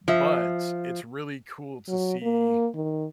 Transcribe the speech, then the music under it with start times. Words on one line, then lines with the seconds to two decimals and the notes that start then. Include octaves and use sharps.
but, it's really cool to see
0.08 F3 E5
1.89 F#3
2.22 A#3
2.75 D#3